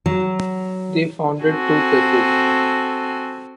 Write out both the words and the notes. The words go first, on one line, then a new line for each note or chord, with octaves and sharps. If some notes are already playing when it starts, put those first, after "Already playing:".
They founded two churches.
F#3
C4 F#4 A4 G#5